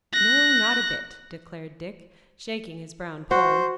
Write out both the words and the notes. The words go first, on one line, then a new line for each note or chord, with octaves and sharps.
"No, not a bit," declared Dick, shaking his brown poll.
F#6 A#6
F#4 C5